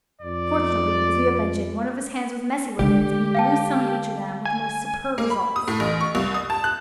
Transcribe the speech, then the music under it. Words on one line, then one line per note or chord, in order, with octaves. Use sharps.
Fortunately, as we have mentioned, one of his hands was messy with it, and he blew some on each of them, with the most superb results.
F2 D5
D3 G#3 G4
F5 G5 A5
G#5
A#3
B5
D#6
A2
A1
C#6
C2
D#6
A5
F#6